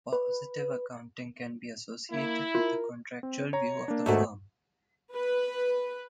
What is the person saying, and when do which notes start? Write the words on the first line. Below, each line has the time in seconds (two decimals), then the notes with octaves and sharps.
Positive accounting can be associated with the contractual view of the firm.
0.13 B4
2.11 A#3 E4
2.55 F4 A#4
3.23 C4
3.53 C#5 A#5
3.88 A#3 D4
4.06 D#2 G#2 A3 F#4
5.15 B4